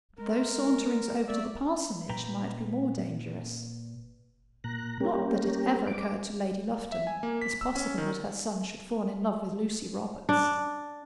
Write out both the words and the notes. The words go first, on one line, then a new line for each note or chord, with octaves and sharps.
But those saunterings over to the parsonage might be more dangerous. Not that it ever occurred to Lady Lufton as possible that her son should fall in love with Lucy Robarts.
G#3 A#4
A3 D5 E5 E6
A#2 B4 G5 A#5
A#2 A#5 F#6
G3 A#3 C#4 G4 A#4
D6
E5
G#5
A#3
B6
E6
C#4
D#3
D4